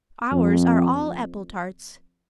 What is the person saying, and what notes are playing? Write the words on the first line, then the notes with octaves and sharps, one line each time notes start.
Ours are all apple-tarts.
F2